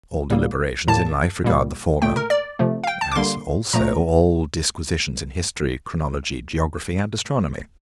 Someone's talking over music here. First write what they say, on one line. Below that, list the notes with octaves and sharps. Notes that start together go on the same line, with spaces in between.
All deliberations in life regard the former; as also all disquisitions in history, chronology, geography, and astronomy.
A2 G3 A#3
A2 G3 A#3 A5
A#2 G3 A#3
A#2 A3 G5
A#4
D5
C3 F3 A3
F5
G5
A5
D6
D3 G3 A#3 C6
A#2 F3 A3 A#5